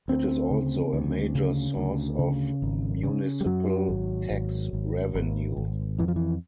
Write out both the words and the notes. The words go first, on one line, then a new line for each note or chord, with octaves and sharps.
It is also a major source of municipal tax revenue.
D2 C4
C#3
D2
C#3
D2
C#3
G#1
C#3
G3
F#2 F#3
G#1
G#1
G#1
G#1
G#1
F2 E3
F3
E3